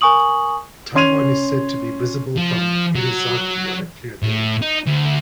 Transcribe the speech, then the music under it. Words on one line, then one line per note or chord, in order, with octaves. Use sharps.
Taiwan is said to be visible from Irizaki on a clear day.
A#4 G#5 C#6 D#6 F#7
C#4 C6 G#6 D#7 F7
F3
F#3
A2
D#4
D2